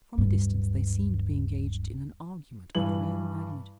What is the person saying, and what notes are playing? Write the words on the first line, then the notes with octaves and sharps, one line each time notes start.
From a distance they seemed to be engaged in an argument of real magnitude.
D1 G2
G2 E3 F#7